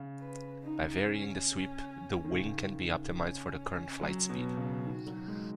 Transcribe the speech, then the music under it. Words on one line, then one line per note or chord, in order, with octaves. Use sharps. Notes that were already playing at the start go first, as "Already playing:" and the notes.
By varying the sweep the wing can be optimised for the current flight speed.
Already playing: C#3
B4
D#4
C#4
D#3
C#3
C#4
F#3
B2
C#3
D#3 F#4
F#3
G#3